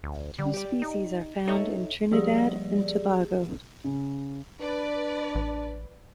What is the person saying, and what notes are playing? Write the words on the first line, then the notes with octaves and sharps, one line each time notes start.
Two species are found in Trinidad and Tobago.
D2
D3 G3
G4 D5
D#4
D#4 A4 C#5 E5
F3 G3 A#3 G4 G#4 D5
C#3
D4 B4 D5
A1